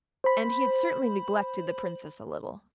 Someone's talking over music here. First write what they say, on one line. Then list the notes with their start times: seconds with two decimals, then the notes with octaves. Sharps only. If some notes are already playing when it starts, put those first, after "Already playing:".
And he had certainly neglected the Princess a little.
0.24 C5 B5